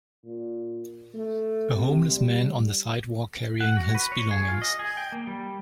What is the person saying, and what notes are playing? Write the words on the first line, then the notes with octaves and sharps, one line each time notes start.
A homeless man on the sidewalk carrying his belongings.
A#2
A3
C3
G3
F#5
F#4
B4
C#5
G#4
F4
D#5
G#4
G5
A#3
G3